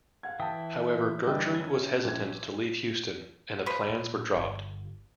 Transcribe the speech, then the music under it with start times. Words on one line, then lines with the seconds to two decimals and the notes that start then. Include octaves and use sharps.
However, Gertrude was hesitant to leave Houston, and the plans were dropped.
0.23 F5 F#5 G#6
0.40 E3 E5 G5 A5 D#6
1.27 G1 E3 G3 D4 D#5 G5
1.55 C#4 G#5
2.04 A#1 G#6
3.66 F3 B4 C5
3.89 A#2
4.35 G1